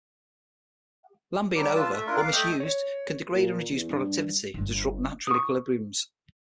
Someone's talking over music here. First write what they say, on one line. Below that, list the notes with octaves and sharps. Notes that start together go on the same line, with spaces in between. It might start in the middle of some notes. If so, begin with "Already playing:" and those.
Land being over- or misused can degrade and reduce productivity and dissrupt natural equilibriums.
F#3 G3 G4 D6
F4 B4 A5 E6
A3 E5
D4 E4 F4 A#4
B4 F5 D6
A3 D#5 E5 G5
C#5
A#2
E2
G2
G1
C#6 D#6